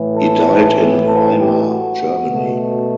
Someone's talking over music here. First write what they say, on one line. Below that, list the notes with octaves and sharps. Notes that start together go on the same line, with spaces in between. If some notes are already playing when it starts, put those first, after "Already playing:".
He died in Weimar, Germany.
Already playing: A2 E3 A3
A4
A4
G4
F#4
B2 A3